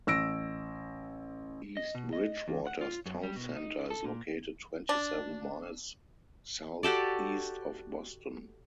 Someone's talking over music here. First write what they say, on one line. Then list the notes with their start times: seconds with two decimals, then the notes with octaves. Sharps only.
East Bridgewater's town center is located twenty-seven miles southeast of Boston.
0.07 A1 E6 A#6 D7
1.77 D#5
1.95 B2
2.13 D#5
2.48 E2
2.67 F#5
2.81 F4
3.06 F#2
3.23 G3
3.36 B2
3.56 D#4
3.90 A4
4.04 A#2
4.89 D4
6.83 F#4 G4 A4 D5